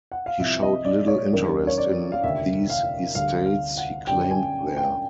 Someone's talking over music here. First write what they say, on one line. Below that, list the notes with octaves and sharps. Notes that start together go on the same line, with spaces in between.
He showed little interest in these estates he claimed there.
F#5
F5
C2 C3 F3 E5
D#5
D5
C#5
F#2 D#3 F#3 A#3 D4
C#5
D5
F5
F1 D#2 D3 E5
F5
D2 D3 G3 F5
F5
F#5
F#2 D3 G3 G5
G#5
G5